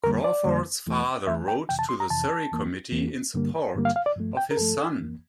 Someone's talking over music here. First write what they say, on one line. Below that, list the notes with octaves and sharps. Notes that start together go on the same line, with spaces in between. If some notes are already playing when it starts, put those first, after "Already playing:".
Crawford's father wrote to the Surrey committee in support of his son.
F2 D3 G3 A#3 A#4
D5
F2 D3 G3 A#3
E2 E3 A3
E2 E3 A3 E5
G5
F2 C3 E3 G5
A5
C6
A#5
F2 C3 E3 A5
E2 E3 A#3
E2 E3 A#3
G2 D3 G3 A#3
G2 D3 G3 A#3
F5
F5
D5
G2 F3 A3
G5
A#4
G2 F3 A3 A4
F2 E3 A#3